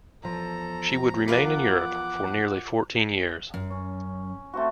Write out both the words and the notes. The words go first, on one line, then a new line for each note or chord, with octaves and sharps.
She would remain in Europe for nearly fourteen years.
E2 F3 A4 A#5
F4 A#4 B4 F#5 D6
F#2
C#4
A3 C4 F#4